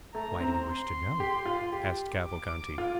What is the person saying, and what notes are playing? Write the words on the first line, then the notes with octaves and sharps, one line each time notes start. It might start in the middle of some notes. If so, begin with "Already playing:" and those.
"Why do you wish to know?" asked Cavalcanti.
A3 A#5
C4
C6
G4
F4
G4
D6
F4